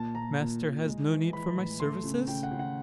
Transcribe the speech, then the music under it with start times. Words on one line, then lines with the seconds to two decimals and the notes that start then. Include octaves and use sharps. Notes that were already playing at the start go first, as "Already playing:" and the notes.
"Master has no need for my services?"
Already playing: A#2 A5
0.15 A#2 A#5
0.39 A#2
0.62 A#2
0.86 G#3
1.09 E3
1.33 E3 B5
1.56 A2
1.80 A3 C6
2.04 C#3
2.28 C#3 G5
2.43 F#5
2.51 C#3
2.59 F#5